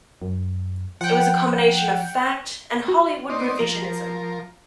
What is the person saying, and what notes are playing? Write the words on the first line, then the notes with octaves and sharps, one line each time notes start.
It was a combination of fact and Hollywood revisionism.
F#2
F3 F#5 G5
F#4
C4 D#4 D5
F3 A#4